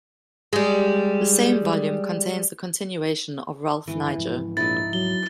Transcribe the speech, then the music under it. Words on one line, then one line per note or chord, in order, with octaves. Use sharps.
The same volume contains the continuation of Ralph Niger.
G3 G#3
G2 D#3 E3
G#2 F3
A#1 D#4 E4 A6
F#3 G7